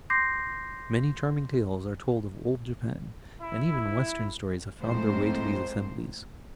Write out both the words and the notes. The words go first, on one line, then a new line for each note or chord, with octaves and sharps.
Many charming tales are told of old Japan, and even Western stories have found their way to these assemblies.
C6 D6 G6 A#6 C7
E4
F2 A2 G#3 A#3 C4 C5